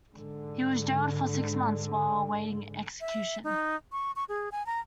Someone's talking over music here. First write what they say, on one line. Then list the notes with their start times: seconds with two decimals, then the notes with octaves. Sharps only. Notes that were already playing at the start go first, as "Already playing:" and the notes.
He was jailed for six months while awaiting execution.
0.12 G#2 D3 G#3
3.01 E5
3.44 D#4
3.92 C#6
4.16 C#6
4.29 G#4
4.52 G#5
4.66 A#5